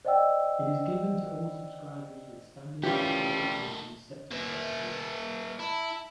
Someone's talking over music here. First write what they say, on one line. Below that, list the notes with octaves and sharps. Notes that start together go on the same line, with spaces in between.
It is given to all subscribers with standard and high definition set-top boxes.
C5 D5 D#5 F#5 G5 E6
D#3 E3 G3 A3 C#4 F4 G4
A#3 B4 E5
E4 A5